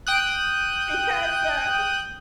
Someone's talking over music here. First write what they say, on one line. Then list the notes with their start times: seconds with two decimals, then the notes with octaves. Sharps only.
Because, uh,
0.07 G5 D#6 F#6